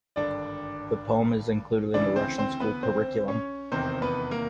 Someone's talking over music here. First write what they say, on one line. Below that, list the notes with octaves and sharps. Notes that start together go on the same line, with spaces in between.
The poem is included in the Russian school curriculum.
G#1 G2 D3 D4 D5
D2 C#3 E3 D4 D5
C4 C5
C4 C5
B3 B4
C4 C5
C#4 C#5
F1 E2 C3 D#3 C4 C5
B3 B4
A#3 A#4